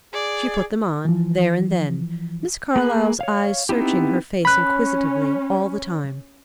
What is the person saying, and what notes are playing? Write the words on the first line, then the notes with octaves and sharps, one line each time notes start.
She put them on, there and then, Miss Carlyle's eyes searching her face inquisitively all the time.
G#4 D5
E3 F3
A#3 G#4 B5 F#6
C#5 F5
B3 C4 D#4 E4 G4
C#4 B5 F#6